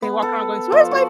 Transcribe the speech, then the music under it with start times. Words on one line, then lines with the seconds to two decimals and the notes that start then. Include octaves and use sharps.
they walk around going, "So where's my
0.02 B3
0.22 A4
0.72 F3
0.91 F#4